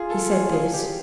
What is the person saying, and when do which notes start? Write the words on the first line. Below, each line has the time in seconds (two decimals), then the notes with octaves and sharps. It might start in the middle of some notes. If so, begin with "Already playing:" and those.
He said this.
Already playing: F4 G#4
0.10 A4
0.32 G#4
0.52 G#4
0.73 G4